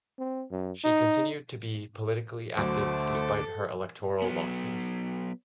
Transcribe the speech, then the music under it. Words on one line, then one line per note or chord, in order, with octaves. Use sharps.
She continued to be politically active despite her electoral losses.
C4
F#2
D#4
D2 B2 D3 F#3 A3 C5 D6
A4
F#3 B3